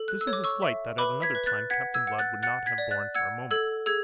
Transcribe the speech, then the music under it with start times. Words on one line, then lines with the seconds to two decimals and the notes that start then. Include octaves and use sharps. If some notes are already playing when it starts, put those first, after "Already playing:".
This was a slight that at another time Captain Blood would not have borne for a moment.
Already playing: A4
0.08 F#6
0.21 E6
0.27 C#5
0.33 D6
0.44 C#6 E6
0.62 E5
0.98 B4 B5 D6
1.22 G#6 B6
1.35 B4
1.46 F#6 A6
1.70 F#5 G#6 B6
1.94 E6 G#6
2.07 F#5
2.19 F#6 A6
2.43 F#5 F#6 A6
2.66 G#6 B6
2.78 D5
2.91 F#6 A6
3.15 F#5 E6 G#6
3.51 A4 E6 G#6
3.86 G#4 E6 G#6